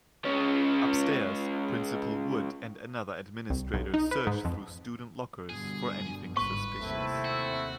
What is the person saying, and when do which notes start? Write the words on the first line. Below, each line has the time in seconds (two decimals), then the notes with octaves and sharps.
Upstairs, Principal Wood and another administrator search through student lockers for anything suspicious.
0.25 C#2 C#4
3.50 C2
3.74 B1
3.94 D#4
4.11 B4
4.27 G#2
4.45 F2
5.50 G2 B2 D3 G#4
6.37 G1 G#2 B4 C#6
6.80 D#2 C3 A3 C4 E4
7.25 F#4